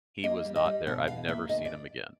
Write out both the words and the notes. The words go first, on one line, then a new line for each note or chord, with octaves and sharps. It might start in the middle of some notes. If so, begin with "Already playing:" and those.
He was not there. I've never seen him again.
A#3 D#5
G3
D#5
G3
B2 F#5
B2 F5
A#3 E5
D2 D#5
D5